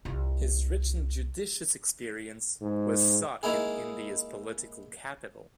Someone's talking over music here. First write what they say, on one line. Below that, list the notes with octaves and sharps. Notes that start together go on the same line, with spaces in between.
His rich and judicious experience was sought in India's political capital.
C2 F4
G#2
G#3 A#3 D#4 E4 G#4